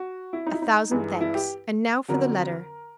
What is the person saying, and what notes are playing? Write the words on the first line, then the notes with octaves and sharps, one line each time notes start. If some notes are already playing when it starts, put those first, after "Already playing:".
"A thousand thanks--and now for the letter."
Already playing: F#4
E4
D#4
E4
D#4
G2 E3 G#3
E4
G4
F2 D3 F#3 A#4